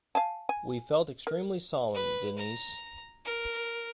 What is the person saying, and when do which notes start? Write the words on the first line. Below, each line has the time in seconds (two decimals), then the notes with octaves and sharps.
We felt extremely solemn, Denise.
0.15 F5 G#5 A5
0.49 G#5
1.27 A#4
1.95 B4
2.38 A#5
3.25 A#4